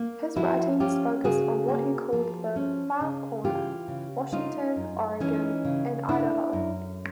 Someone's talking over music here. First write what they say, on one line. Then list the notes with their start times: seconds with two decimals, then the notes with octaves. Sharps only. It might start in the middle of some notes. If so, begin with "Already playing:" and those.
His writings focused on what he called the "Far Corner": Washington, Oregon, and Idaho.
Already playing: A#3
0.36 F3 E4 F#4
0.80 C#4 F4 G4
1.24 C#3 F#4 G#4
1.68 A#3
2.13 F3
2.56 C#4
3.01 C#3
3.44 E3 F4 G4
3.88 C#3
4.32 A3 D#4 F4
4.76 F#2
5.20 E3 C#4 D#4
5.65 C#3
6.09 A3 D4 E4
6.53 F#2